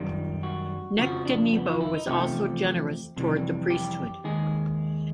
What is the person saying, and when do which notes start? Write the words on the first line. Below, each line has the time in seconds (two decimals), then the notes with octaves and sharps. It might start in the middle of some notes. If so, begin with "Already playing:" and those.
Nectanebo was also generous towards the priesthood.
Already playing: F#2 D#3 G3 F4
0.43 F#4
0.98 F2 C#3 F3 F#4
1.25 D4
1.53 B3
1.66 F4
1.80 E4
1.94 D#4
2.07 E2 C3 F3 A3 G4
3.17 F2 C3 E3 G3
3.70 G4
4.24 D#2 D#3 G#3 G#4